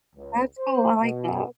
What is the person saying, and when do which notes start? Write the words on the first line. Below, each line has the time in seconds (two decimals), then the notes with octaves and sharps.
That's cool, I like that.
0.16 C#2
0.58 C5
1.01 B2